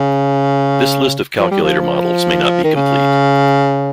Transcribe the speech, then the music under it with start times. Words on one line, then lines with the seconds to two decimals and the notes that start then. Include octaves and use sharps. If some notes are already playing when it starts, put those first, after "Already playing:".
This list of calculator models may not be complete.
Already playing: C#3
1.39 F3
1.51 G3
1.63 F3
2.64 D#3
2.75 C#3